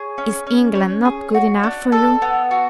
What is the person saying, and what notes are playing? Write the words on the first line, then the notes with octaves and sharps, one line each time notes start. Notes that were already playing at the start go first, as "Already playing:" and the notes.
"Is England not good enough for you?"
Already playing: G#4 C#5
C#4
C#4
C#5
G#4
F#4
D4
A4
B3
F#4